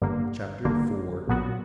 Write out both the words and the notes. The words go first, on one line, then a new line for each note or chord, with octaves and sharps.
Chapter IV.
G1 G2 D3 A#3
G1 G2 D3 A#3
A#1 A#2 F#3 B3 F#4